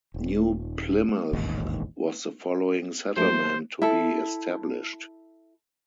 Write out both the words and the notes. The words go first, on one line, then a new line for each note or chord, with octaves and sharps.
New Plymouth was the following settlement to be established.
D#1
E1 A1 D#2 G#2
F#3 A3 A#3 C5
E4 A4